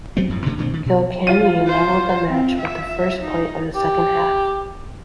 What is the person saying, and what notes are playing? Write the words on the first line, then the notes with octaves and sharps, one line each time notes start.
Kilkenny leveled the match with the first point of the second half.
F#3 A3 B3 C4
F#2 A2 F3
B2 D3 F3 A3
A#2 D3 A3 C4
D2 D#3
B2
F4 D#7
C5
C4
E5
D#4
G4